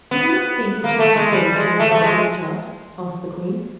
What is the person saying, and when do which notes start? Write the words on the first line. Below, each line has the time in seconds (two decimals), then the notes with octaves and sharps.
"You do not think that you are too old for this arduous task?" asked the Queen.
0.11 B3
0.84 A#3
0.99 A3
1.16 G#3
1.32 G3
1.56 G#3
1.79 A3
1.91 A3
2.04 G#3